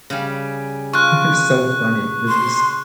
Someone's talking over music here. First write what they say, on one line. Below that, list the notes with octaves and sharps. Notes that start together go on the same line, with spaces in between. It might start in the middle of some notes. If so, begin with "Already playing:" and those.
They're so funny. It's just
C#3 G3
F4 C#6 F#6
C6